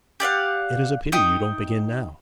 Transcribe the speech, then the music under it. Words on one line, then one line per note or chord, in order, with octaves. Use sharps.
'It is a pity you don't begin now.
G4 D5 F5 F#5
D#4 E5 G5 D#6